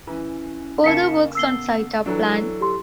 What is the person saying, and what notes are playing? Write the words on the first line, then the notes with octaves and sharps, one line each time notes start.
Further works on site are planned.
E3 C#4
C#3 A#3 A5 B6 C#7
B3 E6 C7 G7
E3 F#3 D4 A4
G4 C6